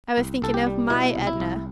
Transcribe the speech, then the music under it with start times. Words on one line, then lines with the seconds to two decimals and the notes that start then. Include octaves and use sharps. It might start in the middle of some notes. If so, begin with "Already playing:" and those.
I was thinking of MY Edna.
0.18 C2
0.42 C2 A4
0.54 G4
0.67 G3
0.90 B2 E4
1.15 C2
1.27 E4
1.40 C2